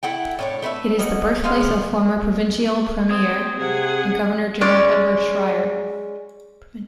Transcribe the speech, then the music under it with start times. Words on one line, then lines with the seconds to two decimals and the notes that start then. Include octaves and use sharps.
It is the birthplace of former Provincial Premier and Governor General Edward Schreyer.
0.03 A3 E4 F#5 G5
0.39 A2 D4 C#5
0.62 A3 B4 D5 E5
0.99 B3 C#4 D#4 F#4
1.44 G#3 B3 G#4 F5
1.61 B2 F3
3.09 C4 D#6 G#6
3.58 C3 G#4 F#5
4.61 G#3 C#4 D5